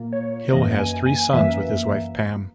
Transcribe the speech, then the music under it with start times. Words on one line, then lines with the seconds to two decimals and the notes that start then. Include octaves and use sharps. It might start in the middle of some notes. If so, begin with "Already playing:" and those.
Hill has three sons with his wife Pam.
Already playing: A#2 A#3
0.13 C#5
0.53 F#2 E3 A#3 D#5
0.79 G#5
1.06 G#5
1.33 F#2 E3 A#3 E5